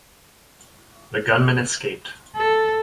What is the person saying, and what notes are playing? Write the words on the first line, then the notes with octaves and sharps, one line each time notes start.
The gunmen escaped.
A4